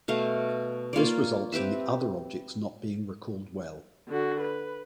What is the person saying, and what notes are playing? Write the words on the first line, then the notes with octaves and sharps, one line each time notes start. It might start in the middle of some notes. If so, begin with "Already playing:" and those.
This results in the other objects not being recalled well.
B2 A3 F5
A#3 F4 C#5 D5
C4 G4 B4 E5
D3 F#4
B4